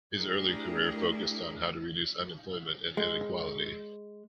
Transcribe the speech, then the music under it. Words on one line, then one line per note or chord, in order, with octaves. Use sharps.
His early career focused on how to reduce unemployment and inequality.
A3 D4 E4 G4 G#4 A#4
G#3